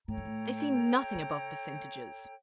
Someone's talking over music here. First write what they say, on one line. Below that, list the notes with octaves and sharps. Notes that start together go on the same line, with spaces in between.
They see nothing above percentages.'
A2 A4 C#5 G5 A#5
G2
A2
C#3